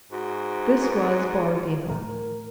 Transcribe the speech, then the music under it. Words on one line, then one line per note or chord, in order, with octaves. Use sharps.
This was Borodino.
G#2 F#4
A2 A#4